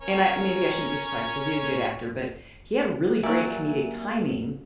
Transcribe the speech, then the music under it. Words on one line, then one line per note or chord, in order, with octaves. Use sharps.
and I maybe I shouldn't be surprised 'cause he is a good actor, but he had really great comedic timing
C#4 A#4 C#5
F#3 A#3 G4 A#4 D5 E5 G#5